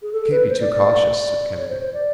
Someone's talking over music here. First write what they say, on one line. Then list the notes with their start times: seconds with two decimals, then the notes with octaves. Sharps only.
"We can't be too cautious," said Kennedy.
0.02 G#4
0.12 A4
0.30 B4
0.48 C5
0.60 D5
0.72 D5
1.21 D5
1.57 C#5
1.69 C5
1.81 C5
1.93 D5